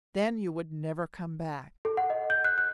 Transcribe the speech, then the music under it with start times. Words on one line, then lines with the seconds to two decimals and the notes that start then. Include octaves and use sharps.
Then you would never come back.
1.85 A4
1.97 F#5
2.10 D#5
2.30 G6
2.44 F#6
2.58 F#6